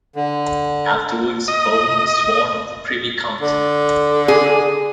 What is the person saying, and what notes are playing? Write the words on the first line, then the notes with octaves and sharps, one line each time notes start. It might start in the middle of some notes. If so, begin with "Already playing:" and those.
Afterwards, Bowen was sworn of the Privy Council.
D3
D#5
D3
G#4